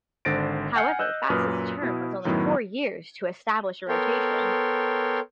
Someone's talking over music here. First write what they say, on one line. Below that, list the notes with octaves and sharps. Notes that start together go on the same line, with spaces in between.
However, Bassett's term was only four years to establish a rotation.
G#1 D3 C5 A6 A#6 D7
F#5 G#5 F6 G6 C7 C#7
D#5 E6 F#6 G6
F#2 A#2 B4 D6 D#6 F6
B2 E4
F#2 A2 D#3 F#3 B3 E4
B3 A4 A#4 C#5 G5 C6